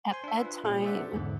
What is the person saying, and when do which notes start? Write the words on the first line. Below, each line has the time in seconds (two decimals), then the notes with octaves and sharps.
at bedtime,
0.11 C5 G#5 C6
0.24 D4 E5
0.43 F4 B4
0.64 A#2 C#4 G#4
0.84 C5 D5 E5 F#5
1.13 E2 G#2 D3